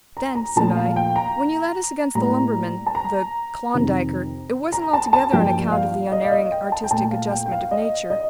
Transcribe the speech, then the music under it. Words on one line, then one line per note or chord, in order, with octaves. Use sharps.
"Then," said I, "when you led us against the lumberman--the--Klondiker --it wasn't altogether on account of the Unerring Artistic Adjustment of Nature?"
A#5
A#5
A#2 F3 A3 A5
F5
G5
A#5
A2 G3 A#3 A#5
A5
A#5
F2 C3 D#3
A#5
A5
A5
G2 F3 A#3 G5
F5
D#5
F5
D#5
G5
A5
G5
A#2 A3 A5
F5
G5
G5
F5
F5
D#5
D#5